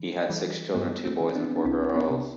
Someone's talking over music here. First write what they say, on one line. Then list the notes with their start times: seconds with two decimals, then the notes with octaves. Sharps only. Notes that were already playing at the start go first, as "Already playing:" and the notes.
He had six children: two boys and four girls.
Already playing: E3
0.29 E3 G3
0.75 G2 G3 B3
1.05 A3 C4
1.20 E3
1.29 C4
1.35 B3 D4
1.56 D4
1.65 C2 C4 E4
1.96 B3 D4
2.10 C3